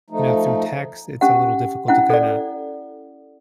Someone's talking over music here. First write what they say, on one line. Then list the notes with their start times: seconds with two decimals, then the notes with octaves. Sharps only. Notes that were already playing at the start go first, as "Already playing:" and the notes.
you know, through text, it's a little difficult to kinda,
0.10 F3 A3 D#4
1.21 C#4 G4 F#5
1.88 C#4 E4 F#5
2.10 A4 D5